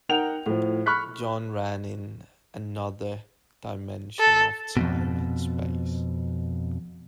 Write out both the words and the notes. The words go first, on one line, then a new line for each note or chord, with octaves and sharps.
John ran in another dimension of time and space.
D#4 A#4 F#5 G5 G6 F7
A2 F3
B5 C#6 F6 F#6 B6
A4
F2 G#2 B2